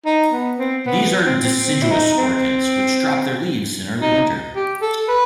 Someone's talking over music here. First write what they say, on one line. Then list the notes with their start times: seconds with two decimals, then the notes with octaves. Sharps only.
These are deciduous orchids, which drop their leaves in early winter.
0.06 D#4
0.32 B3
0.59 C4
0.86 B3
1.26 C4
1.44 C4
1.64 C4
1.82 E4
1.91 D#4
2.17 C4
4.02 D#4
4.56 G4
4.81 A4
5.08 B4